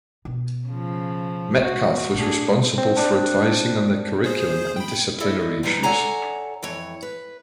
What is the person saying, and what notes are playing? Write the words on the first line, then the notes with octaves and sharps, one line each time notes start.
Metcalfe was responsible for advising on the curriculum and disciplinary issues.
B2
C#3 F3
A#2 F#4
A#2 A3 C#4 D4 G#4
C4
D4
G#4 C5
G5 B5
E4 A4 D5 D#5
D#2 F3 G3 D#4 B4
A4 C#5 D5 F#5 G#5 A#5
F2 E3 C#5
B4